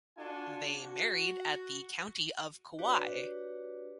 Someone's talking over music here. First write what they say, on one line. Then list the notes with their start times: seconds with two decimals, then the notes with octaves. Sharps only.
They married at the county of Kauai.
0.17 D4 F4 F#4 A4 G#5
0.84 F#4
2.79 D4 F#4 G4 B4 C#5 D5